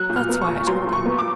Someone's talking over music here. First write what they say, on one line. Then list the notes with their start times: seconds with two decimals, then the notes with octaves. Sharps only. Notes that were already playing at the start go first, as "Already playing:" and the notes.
That is why I told him...
Already playing: F#3 F#6
0.09 A#2
0.16 F6
0.29 B3
0.41 C#6
0.48 A#2
0.67 F#3 C6
0.87 A#2
0.93 C#6
1.06 B3
1.18 D6